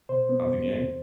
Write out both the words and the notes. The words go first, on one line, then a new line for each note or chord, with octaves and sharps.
of the game?
B2 C5
B3
E2
E2